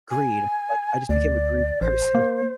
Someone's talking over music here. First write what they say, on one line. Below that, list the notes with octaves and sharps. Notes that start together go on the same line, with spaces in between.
greed, like, I just became a greedy person,
G#5
D2 D5
A1 C5
A#3